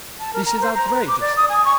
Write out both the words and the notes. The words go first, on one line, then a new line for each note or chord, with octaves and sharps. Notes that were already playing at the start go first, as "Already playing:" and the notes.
This is outrageous!
A5
A#4
A#5
C5
A#5
B4
D6
D5
D#6
G#5
C#6